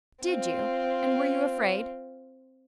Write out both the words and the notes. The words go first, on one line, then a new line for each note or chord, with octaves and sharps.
"Did you? and were you afraid?"
C4 F4